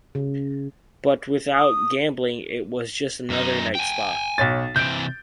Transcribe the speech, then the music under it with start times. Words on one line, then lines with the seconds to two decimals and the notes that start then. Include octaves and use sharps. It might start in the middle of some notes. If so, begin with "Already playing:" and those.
But without gambling, it was just another nightspot.
0.15 C#3
1.54 D#6
3.30 F#2 D#4
3.75 G5 G#5
4.38 B1 C#5 A6
4.76 C3 E3 G6 D7